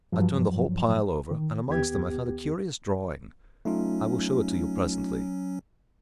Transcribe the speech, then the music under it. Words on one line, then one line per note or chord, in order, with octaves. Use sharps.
I turned the whole pile over, and amongst them I found a curious drawing; I will show it to you presently.
G2 F3 F#3
D#3
D#2 B3 G4 G#6
F#3 A3 C#4 D#4 F4